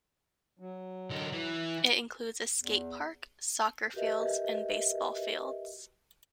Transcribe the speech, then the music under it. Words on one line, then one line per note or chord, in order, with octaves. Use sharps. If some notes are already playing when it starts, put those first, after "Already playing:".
It includes a skate park, soccer fields, and baseball fields.
F#3
D3 D#4
E3
E2
F#4 G4 A#4 B4 D#5 E5